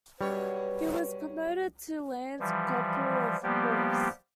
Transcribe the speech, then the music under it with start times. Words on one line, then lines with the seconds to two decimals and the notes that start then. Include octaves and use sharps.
He was promoted to Lance-Corporal of Horse.
0.21 F#2 B2 G3 B4 C#5
2.40 E3 F3 G3
3.43 F3 G3 A#3 B3 G4